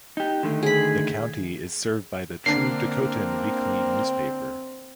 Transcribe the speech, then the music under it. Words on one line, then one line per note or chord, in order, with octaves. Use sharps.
The county is served by the "True Dakotan" weekly newspaper.
D#4 G4
D3 D#3 A3
G#4 B5
D3 A#3 C4 D4 C7